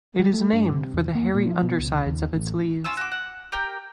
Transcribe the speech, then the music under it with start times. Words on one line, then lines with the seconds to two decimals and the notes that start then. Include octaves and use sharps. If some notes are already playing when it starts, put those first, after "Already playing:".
It is named for the hairy undersides of its leaves.
0.19 G3
0.33 A3
0.53 G2
0.72 C3
0.94 E2
1.15 A#3
1.34 A#2
1.47 F3
1.63 B2
1.79 C#2
2.06 D#2
2.34 A1
2.84 C#4 F4 E6
2.97 F#4 D6
3.12 F#5
3.52 G4 A#4 G5